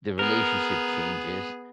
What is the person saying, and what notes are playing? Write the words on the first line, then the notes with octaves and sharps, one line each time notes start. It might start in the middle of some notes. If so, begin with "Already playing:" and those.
the relationship changes
B3 G#4 A#4